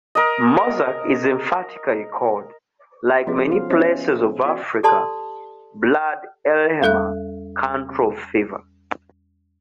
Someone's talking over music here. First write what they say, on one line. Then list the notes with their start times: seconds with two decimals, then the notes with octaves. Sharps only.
Mourzuk is emphatically called, like many places of Africa, "Blad Elhemah", country of fever.
0.15 A#4 D#5
3.27 F3 B3 C#4 F#4 G#4 D#5
3.51 F4 C5 F5
3.70 C#4 C5 D#5 E5
4.46 F#4 D5
4.83 G4 A4 D5 A5 C6 D#6
6.82 E2 G3 A4 E5 F#6